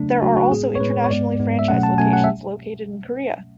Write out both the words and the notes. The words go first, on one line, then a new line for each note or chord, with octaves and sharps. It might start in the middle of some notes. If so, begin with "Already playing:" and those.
There are also internationally franchised locations, located in Korea.
Already playing: C#3 F#3 A3 D4
C#3 F#3 A3 F#4
F#4
A2 G#3 B3 G#4
C#5
A2 G#3 B3 B4
C#5
G#2 G#3 B3 D5
G#2 G#3 B3
E5
B2 F#3 A3 C#4 F#5
A5
B2 F#3 A3 C#4 G#5
F#5
E5